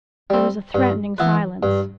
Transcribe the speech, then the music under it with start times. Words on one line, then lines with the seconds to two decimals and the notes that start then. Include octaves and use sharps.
There was a threatening silence.
0.30 G3 C4
0.75 G2
1.18 E3 B3 E4 B4
1.63 G2